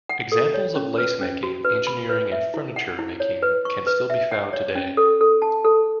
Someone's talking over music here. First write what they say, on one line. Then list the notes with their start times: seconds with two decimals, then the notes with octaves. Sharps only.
Examples of lace making, engineering and furniture making can still be found today.
0.09 F#5
0.32 A4
0.54 C#5
0.75 C#4
0.98 B4
1.21 C#4
1.43 F#4
1.65 B4
1.87 B5
2.09 B4
2.32 E5
2.54 E4
2.76 F#5
2.99 E4
3.20 C#5
3.42 B4
3.65 C#6
3.87 B4
4.10 E5
4.31 F#5
4.53 C#5
4.75 C#4
4.97 A4
5.21 A4
5.42 A5
5.65 A4